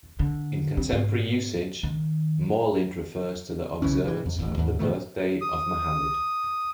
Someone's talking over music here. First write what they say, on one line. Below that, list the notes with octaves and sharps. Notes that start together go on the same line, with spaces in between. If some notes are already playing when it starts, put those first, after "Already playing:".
In contemporary usage, Mawlid refers to the observance of the birthday of Muhammad.
D3
C4
G#2
D#3
B1 C#3 E3 C#4
C3 E3
F2
E1 A1 D#2
D#2 G#2
G2 A#2 D#3 A3
D#6